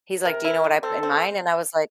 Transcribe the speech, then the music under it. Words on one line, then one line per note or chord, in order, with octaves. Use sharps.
He's like, "Do you know what I put in mine?" And I was like
C3 A#4
E4
G3
C4 A4
C4
C4